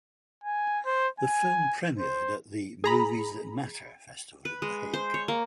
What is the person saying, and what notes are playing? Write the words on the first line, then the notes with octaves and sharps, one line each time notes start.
The film premiered at the Movies That Matter Festival in The Hague.
G#5
C5
G#5
C5
G#4 A#5 B5
B4
G#3
C5
C#5
A#3